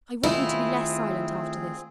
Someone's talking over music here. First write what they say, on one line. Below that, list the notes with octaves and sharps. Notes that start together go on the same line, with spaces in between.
I want you to be less silent after this.
D#3 A3 C4 E4 F4 G#4